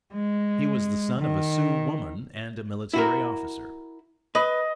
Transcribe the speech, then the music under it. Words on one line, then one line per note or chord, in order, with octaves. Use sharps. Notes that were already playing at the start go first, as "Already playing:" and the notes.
He was the son of a Sioux woman and a military officer.
G#3
D#3
E4 F#4 A#4
B4 D#5